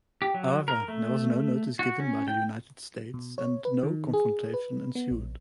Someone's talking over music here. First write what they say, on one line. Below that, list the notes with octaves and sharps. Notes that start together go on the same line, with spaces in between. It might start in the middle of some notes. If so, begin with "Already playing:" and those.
However, there was no notice given by the United States and no confrontation ensued.
G4
F#3
A#4
A3
F#4
C#4
G5
B2
C#5
B4
D#3
G#4
B4
B3
A#1